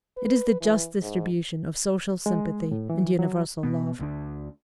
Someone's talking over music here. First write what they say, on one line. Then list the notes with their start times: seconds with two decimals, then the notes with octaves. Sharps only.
It is the just distribution of social sympathy and universal love.
0.17 B4
0.61 E3
1.02 G#2
2.26 G#3
2.71 A2
2.90 E3
3.19 F#3
3.63 B2 B3
3.99 D2 D3 D4